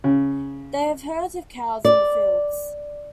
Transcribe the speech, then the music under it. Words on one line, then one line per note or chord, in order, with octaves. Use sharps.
They have herds of cows in the fields.
C#3
D5